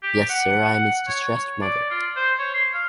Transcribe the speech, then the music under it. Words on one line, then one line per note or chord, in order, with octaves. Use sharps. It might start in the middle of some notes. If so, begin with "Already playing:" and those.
Yes, sir, I am his distressed mother.
G4
F#5
F#5
C#5
D5
F4
C5
C#5
C6
F5